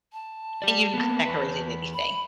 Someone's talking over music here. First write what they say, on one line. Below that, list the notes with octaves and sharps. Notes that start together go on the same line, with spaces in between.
and you've not decorated anything.
A5
G4 D5
A#3 B3
E2 B4
B5